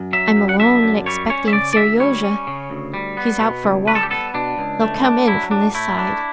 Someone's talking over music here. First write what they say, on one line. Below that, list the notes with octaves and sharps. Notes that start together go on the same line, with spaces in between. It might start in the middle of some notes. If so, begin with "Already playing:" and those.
"I'm alone, and expecting Seryozha; he's out for a walk; they'll come in from this side."
Already playing: F#2
F#3 E5
F#2
F#5
D3 E5
F#2
G3 C#5
C#4 C#5
E5
C#3 D5
D5
D2 E5
G3 C#5
C#4
C#3
D2
G3
B3
B2
C#2
G3 B4
A4
G4
B3 A4
B2 D4
C#2
A3
D4
F#3 E4
A2 D4
A3 E4
D4